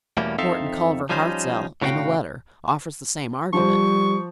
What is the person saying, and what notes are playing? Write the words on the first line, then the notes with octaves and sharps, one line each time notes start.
Morton Culver Hartzell, in a letter, offers the same argument.
E2 B2 G3 A3 A#3 C#4
F2 C4 D#4 A4 E5 F5
F3 G3 C#4 D#4 C5
A2 C#3 F#4 D5 F5 G5
F3 G3 C5 C#6